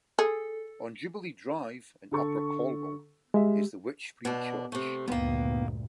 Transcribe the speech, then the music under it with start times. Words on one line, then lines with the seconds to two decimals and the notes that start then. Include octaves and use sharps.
On Jubilee Drive in Upper Colwall is the 'Wyche Free Church'.
0.19 G#4 A4
2.11 D3 A4 C#6
3.34 G3 G#3 E5
4.25 B2 D4
4.72 C3 A3
5.08 D2 G2 A#2 D#3 A#3 B3 B4 F#5